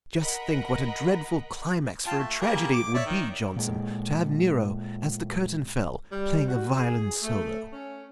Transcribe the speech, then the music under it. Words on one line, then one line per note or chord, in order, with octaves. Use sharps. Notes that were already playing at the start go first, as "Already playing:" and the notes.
"Just think what a dreadful climax for a tragedy it would be, Johnson, to have Nero, as the curtain fell, playing a violin solo."
A#4 D#5 F#5 A#5 B5
F4 G5 A5
A3
G3 A#3 G#4
D6
C#5 D5 E5
D#3
A#2 G#3
G3
F#4
G#4
A3
C#4